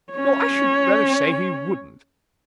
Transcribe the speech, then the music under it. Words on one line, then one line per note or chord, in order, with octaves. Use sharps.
'No, I should rather say he wouldn't.
C#4 C#5